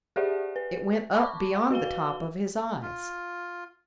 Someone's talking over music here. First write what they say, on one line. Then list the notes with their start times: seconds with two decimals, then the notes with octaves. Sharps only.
It went up beyond the top of his eyes.
0.16 G4 G#4 C5 D5 E5 F#5
0.56 B4
1.14 A5 B5 C#6 D6
1.55 F#5
1.70 F#4 B4 F5 G7
2.82 F4